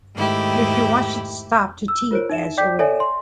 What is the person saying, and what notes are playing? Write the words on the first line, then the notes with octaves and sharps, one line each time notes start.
If he wants you to stop to tea, edge away.
G#2 D#3 A3 E4 G4
E6
F4 A#4 C5 C#5 D7
D#4 E5 E7
D5 G5 D6 G6 B6
A4 C#5 D5 E5 G#5
C6